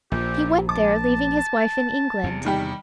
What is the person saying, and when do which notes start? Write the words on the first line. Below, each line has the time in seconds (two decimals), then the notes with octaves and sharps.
He went there, leaving his wife in England.
0.12 A#1 A#2 G4
0.69 A5 D6
2.24 E2 C3
2.45 D#3 G3 G4